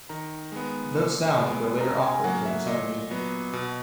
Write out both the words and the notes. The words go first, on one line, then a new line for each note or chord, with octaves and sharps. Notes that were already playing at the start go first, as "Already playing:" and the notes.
Those sounds were later offered for the Synergy.
D#3 A#5
G#3 B3
A#2
G#3 B3
C#3 A#5
G#5
F#3 A#3 F#5
E5
A#2 D#5
F#3 B3
B2